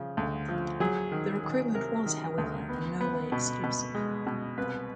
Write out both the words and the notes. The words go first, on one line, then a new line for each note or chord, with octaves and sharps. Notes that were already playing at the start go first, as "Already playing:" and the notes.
The recruitment was however in no way exclusive.
Already playing: C#3 F3
D2
F3
F#3 G#4
D#3
D#3
C3 A#4
D#3
D2
B3
B3
B2
B2
G#3
B2
C2 B4